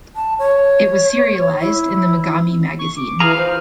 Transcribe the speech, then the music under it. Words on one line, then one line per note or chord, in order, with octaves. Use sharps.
It was serialized in the Megami Magazine.
A5
C#5
E4
C#6
D6
E3 G#4 F5 A#5
F4 C5